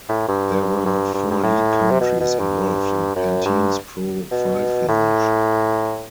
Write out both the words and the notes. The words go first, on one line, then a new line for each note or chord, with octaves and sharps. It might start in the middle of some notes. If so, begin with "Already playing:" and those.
There were four lead countries involved in Pantene's Pro-V launch.
A2
G2
G2
G2
G2
A2
C3
B2
B2
G2
F#2
G2
B2
A2